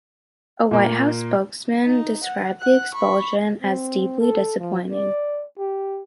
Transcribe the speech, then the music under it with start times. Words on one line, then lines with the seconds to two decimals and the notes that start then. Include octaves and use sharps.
A White House spokesman described the expulsion as "deeply disappointing".
0.71 A#2 A#3
1.84 D#4
2.24 F#5
2.60 F#5 F#6
2.94 B5 C#6
3.62 C4
4.20 A4
4.58 F3
4.91 D5
5.58 G4